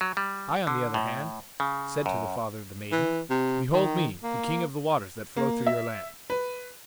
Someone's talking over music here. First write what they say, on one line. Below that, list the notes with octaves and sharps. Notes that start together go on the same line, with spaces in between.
I, on the other hand, said to the father of the maiden, 'Behold me, the king of the waters that flow through your land.
F#3
G3
D3
A2
C#3
F#2
E3
C3
D#3
A#3
A#3
E5
B4